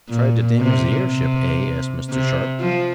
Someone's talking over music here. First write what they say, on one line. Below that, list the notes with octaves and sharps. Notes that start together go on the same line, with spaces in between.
"Tried to damage the airship, eh?" asked Mr. Sharp.
A#2
C3
C3
C3
F3